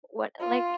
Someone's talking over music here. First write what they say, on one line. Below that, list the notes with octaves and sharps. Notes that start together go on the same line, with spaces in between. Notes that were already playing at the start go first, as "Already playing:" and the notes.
what like,
F4